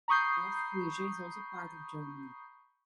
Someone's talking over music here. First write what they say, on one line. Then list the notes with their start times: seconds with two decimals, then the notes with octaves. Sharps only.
North Frisia is also part of Germany.
0.08 A#5 B5 C#6 D#6 G6 C7